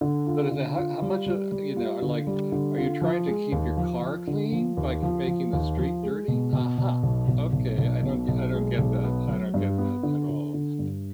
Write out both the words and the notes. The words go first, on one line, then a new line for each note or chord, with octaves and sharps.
the the the h how much, uh, you know, uh, like, are you trying to keep your car clean by c making the street dirty? Aha, okay, I don't get I don't get that. I don't get that at all,
D3
F4
D3
F4
G3
G3
G3
F4
D3
G3
D3
F4
F3
G#3
D#2
F3
F3
D3
F3
D#2
F3
F3
D#2
F3
G#3
B2
B2
B2
B1
B1
B1
B1
B2
B1
G#3
B1
B3
F#3
G2
B3
D3
D3
D3
G2